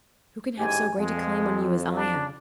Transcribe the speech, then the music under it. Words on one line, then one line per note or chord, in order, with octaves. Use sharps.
Who can have so great a claim on you as I have?
A1 G#2 G4 G#5
F2 G#3
D4